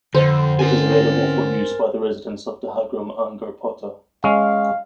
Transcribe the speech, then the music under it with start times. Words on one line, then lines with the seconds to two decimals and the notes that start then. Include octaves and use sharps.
It is available for use by the residents of Dahagram-Angarpota.
0.14 F2 D3 F3 C5
0.59 E3 C4 C#4 A#4 G#5
4.24 G#3 C#4 F5